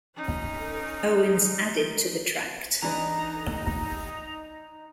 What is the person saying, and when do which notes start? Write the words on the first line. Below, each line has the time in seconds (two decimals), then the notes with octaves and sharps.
Owens added to the tract.
0.16 C#4 D#4
2.82 E3 D4 D#4 B4 A#5